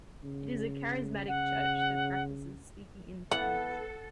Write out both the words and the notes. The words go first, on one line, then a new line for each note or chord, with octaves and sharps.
It is a Charismatic church that practices speaking in tongues.
C#3
C#3 F#5
E3 B3 A4 F#5